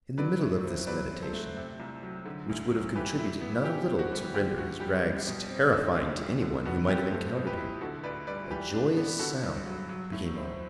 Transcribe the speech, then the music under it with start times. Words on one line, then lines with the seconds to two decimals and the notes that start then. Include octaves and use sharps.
In the middle of this meditation, which would have contributed not a little to render his rags terrifying to any one who might have encountered him, a joyous sound became audible.
0.18 F#3 B4 D5
0.41 A2
0.64 C4
0.87 F#3 B4 D5
1.11 C4
1.22 A4 C5
1.33 A3
1.57 C3
1.80 C2
2.03 F#3
2.25 D3
2.49 D2
2.72 F#3
2.95 E3 G4 B4
3.19 E4
3.41 B3
3.64 E3 G4
3.88 C4
3.99 F#4
4.12 G3
4.34 D3 G4
4.57 D2 F#4
4.80 G3 G4
5.04 G3
5.27 B2
5.49 C4
5.72 D3
5.96 D2
6.20 G3
6.42 D3
6.65 B3 F#4 A4
6.88 F#3 G4 B4
7.11 A3 A4 C5
7.35 B2
7.46 G4 B4
7.58 E4
7.81 D3 F#4 A4
8.04 D2 B4 D5
8.27 G3 B4 D5
8.51 E3 G4 B4
8.73 D4
8.97 B3
9.19 D3 F#4 A4
9.43 G2
9.66 F#3
9.89 F#3
10.12 A2
10.36 C4